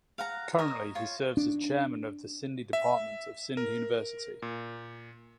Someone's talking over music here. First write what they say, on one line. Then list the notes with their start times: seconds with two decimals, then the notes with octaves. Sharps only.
Currently he serves as Chairman of Sindhi department of Sindh university.
0.18 F5 F#5 A#5
0.59 A#4 C#5 D#5
0.95 F4 C#5
1.37 D4
2.73 E5
3.57 A#4
4.42 A#2